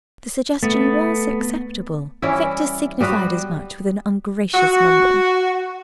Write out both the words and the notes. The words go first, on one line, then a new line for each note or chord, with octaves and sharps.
The suggestion was acceptable: Victor signified as much with an ungracious mumble.
A3 B3
E3 G3 C#4 E4
G3 B3 F#4 B4
F#4